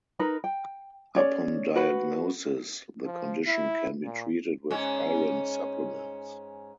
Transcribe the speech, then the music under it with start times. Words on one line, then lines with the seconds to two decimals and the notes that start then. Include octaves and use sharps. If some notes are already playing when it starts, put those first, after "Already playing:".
Upon diagnosis, the condition can be treated with iron supplements.
0.19 D#4 A#4 B4 B5
0.44 G5
1.15 C#4 G#4 C#5 D5
1.75 F#4 B4 F#5 B5
3.06 F3
3.47 E4
4.04 A#2
4.71 G#2 C#4